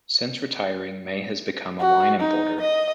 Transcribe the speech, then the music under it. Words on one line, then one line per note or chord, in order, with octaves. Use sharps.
Since retiring May has become a wine importer.
F#4
D#4
D#5